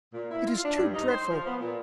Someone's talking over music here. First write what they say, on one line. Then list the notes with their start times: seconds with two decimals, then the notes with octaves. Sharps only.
It is too dreadful!
0.13 A#2
0.31 E4
0.46 F4
0.65 D4
0.77 G2
0.94 D#4
1.09 C5
1.30 F3
1.46 B3
1.60 A#2